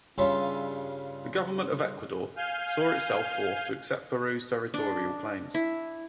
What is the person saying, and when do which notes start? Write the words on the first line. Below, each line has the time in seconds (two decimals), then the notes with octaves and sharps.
The government of Ecuador, saw itself forced to accept Peru's territorial claims.
0.18 G2 C#3 C#4 F4 E5
2.37 F5 G#5 F6 G6
4.74 D4
5.54 E4